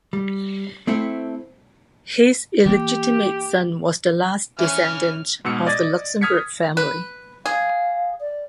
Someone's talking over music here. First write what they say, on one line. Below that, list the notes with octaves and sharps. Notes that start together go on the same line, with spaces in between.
His illegitimate son was the last descendant of the Luxembourg family.
G3
A3 C4 E4 A4
E3 A#3 G4
E3 C#4 F6
G#2 B2 E6 C#7
D5 D#5 G#6 A6
D#6 F6 G#6 B6 C#7
B4
G#4 F5
D5